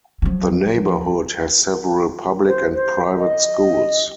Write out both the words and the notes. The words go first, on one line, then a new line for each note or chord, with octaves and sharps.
The neighborhood has several public and private schools.
F3 F#3
C5
C5
D#5